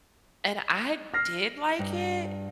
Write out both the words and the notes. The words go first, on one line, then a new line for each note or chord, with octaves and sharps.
And I did like it,
F6 A#6 C7
G2